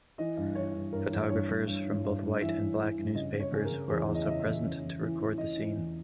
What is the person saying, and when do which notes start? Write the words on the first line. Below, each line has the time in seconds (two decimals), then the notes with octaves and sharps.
Photographers from both white and Black newspapers were also present to record the scene.
0.18 E3 D#5
0.37 G2
0.55 E3 C#5
0.74 G2
0.92 G2 A#4
1.11 E3
1.29 G2 C#5
1.48 G2
1.67 G2
1.85 E3
2.04 G2
2.23 G2
2.41 E3 E5
2.59 E3
2.78 E3
2.97 G2
3.15 C#3 D#5
3.34 C#3
3.40 C#5
3.52 C#3 G#4
3.65 A#4
3.71 C#3
3.89 E2 G#4
4.08 E2
4.15 D#5
4.22 E5
4.26 C#3 D#5
4.39 E5
4.45 E2
4.64 C#3
4.82 E2
5.01 E3
5.19 E3
5.38 E3 D#5
5.57 E3
5.75 E2